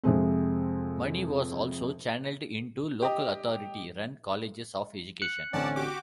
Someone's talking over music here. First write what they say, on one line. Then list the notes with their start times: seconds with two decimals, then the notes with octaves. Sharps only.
Money was also channelled into local-authority run colleges of education.
0.04 F2 C3 G#3 C4
3.02 G4 D#5
5.22 F#6 C#7
5.53 A1 D3 C4 C#4 D5 F#5 A5
5.76 F#4 G4 D6